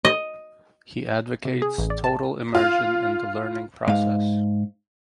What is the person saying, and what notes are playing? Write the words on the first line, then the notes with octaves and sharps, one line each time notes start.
He advocates total immersion in the learning process.
D#5
C3
G#4
A1
D5
A5
F4
G#2 F5